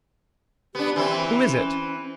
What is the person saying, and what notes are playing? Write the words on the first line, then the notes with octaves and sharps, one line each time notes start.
"Who is it?"
B3 D4 G4
E3 C4 E5
C#4